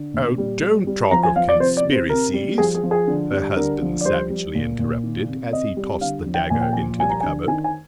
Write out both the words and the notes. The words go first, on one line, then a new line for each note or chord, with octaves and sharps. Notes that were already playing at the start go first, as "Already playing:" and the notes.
"Oh, don't talk of Conspiracies!" her husband savagely interrupted, as he tossed the dagger into the cupboard.
Already playing: D3
A#2
G3
G3
G3
F3 A#5
G#5
F3 F5
D5
C3 C5
D5
C3
C5
C3 A#4
G3
F3 G#4
G#4
F3
G#4
D3
G3
D3 A#4
F3
D5
G3 C5
G3
A#2
A#2
D#3
C3
C3 D#5
G3
D3 F5
F3
G5
A#2 G#5
G5
F3 G#5
G3 G#5
A#5
D3 G#5
D#3 G#5
G#5